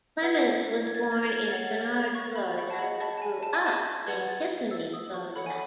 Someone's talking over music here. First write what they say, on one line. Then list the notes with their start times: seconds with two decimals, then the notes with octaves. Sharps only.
Clements was born in Kinard, Florida, but grew up in Kissimmee, Florida.
0.22 B4 F#5 G#6
0.87 G#6
0.95 A6
1.03 G#6
1.12 A6
1.20 G#6
1.29 A6
1.37 G#6
1.50 A4 C#5 F#5 A6
1.72 A6
1.94 G#6
2.15 C#6
2.36 B5
2.58 C#6
2.70 A5
2.79 G#4 D#5 F#5 B5
3.00 A5
3.18 A5
3.22 G#5
3.43 A5
3.55 G#5
3.66 A5
4.07 B4 F#5 G#6
4.29 A6
4.71 E6
4.93 D#6
5.14 C#6
5.36 A4 C#5 F#5 B5
5.46 G#5